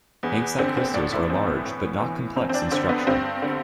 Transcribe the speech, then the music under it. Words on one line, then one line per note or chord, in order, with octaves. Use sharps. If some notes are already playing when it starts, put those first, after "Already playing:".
Hanksite crystals are large but not complex in structure.
E2 B3
D3 C4
C4
A2 D4
E4
E3 C4
B3
A2
E3
F2 C4
C4
D4
D3 C4
B3
G2 C4
D3